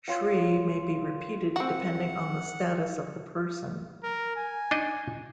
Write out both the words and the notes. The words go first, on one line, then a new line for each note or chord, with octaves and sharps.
"Shri" may be repeated depending on the status of the person.
F4 C#5 G5
C4 F#4 F#5
A#4
G#5
D4 D#4 D#5